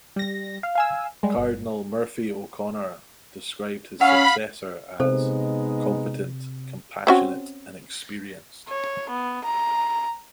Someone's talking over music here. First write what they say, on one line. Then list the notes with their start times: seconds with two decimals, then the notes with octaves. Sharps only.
Cardinal Murphy-O'Connor described his successor as competent, compassionate, and experienced.
0.16 G3 A#6
0.63 F5
0.75 F5 G#5 E6
1.23 G3 G#3
1.38 G1
4.01 C#4 F5 F#5 B5
5.00 C3 G#3 B3 D#4 A4 C5
7.07 C4 C#4 F#4
8.68 C#5
9.10 B3
9.44 A#5